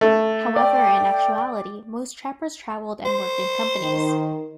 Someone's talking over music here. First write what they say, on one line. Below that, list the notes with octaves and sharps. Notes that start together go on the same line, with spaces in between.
However, in actuality, most trappers traveled and worked in companies.
A3
D5 G5
C5
D#3